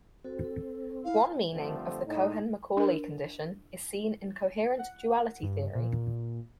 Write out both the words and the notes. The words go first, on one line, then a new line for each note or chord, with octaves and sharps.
One meaning of the Cohen-Macaulay condition is seen in coherent duality theory.
C4 F#4 A4 C5
A4
E4 F5
G2 D3 F3 A3 C4
A2 D#4
D4 A#4
F#5
G2
A#2